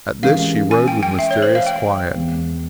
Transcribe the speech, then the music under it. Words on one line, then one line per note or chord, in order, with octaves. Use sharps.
At this she rode with mysterious quiet.
E3 G#3 C#4 G4 A#4 F5
G#5
G5
G5
E5
C#5
C5
F5
G5
E2 E3 G#3